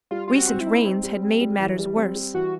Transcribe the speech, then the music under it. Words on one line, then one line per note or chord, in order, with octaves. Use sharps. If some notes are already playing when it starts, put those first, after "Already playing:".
Recent rains had made matters worse.
G3 F4
C4 F4
F#4
C4
E4
D#4
C4
G3
C4
G3
E3
G3
C4
G3
E3 F#4